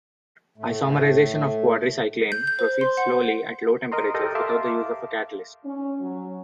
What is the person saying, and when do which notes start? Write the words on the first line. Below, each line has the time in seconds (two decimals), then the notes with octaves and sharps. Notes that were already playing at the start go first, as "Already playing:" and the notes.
Isomerization of quadricyclane proceeds slowly at low temperatures without the use of a catalyst.
0.58 A2 A3
2.32 G6
2.47 G6
2.59 C5
2.81 C6
2.97 F#5
3.92 A#4 D#5 A#5 C6
4.14 G4 A4 A#4 D#5 G5
4.35 E5 F5 A5 C6 D6
5.65 C#4
6.00 F#3